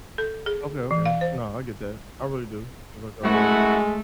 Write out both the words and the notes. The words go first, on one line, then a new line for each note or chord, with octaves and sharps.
Okay, okay, no, I get that, I really do. It's, like, uh
A4
G#4
E3
F5
C5
F#2 G#3 A3 E4 F#4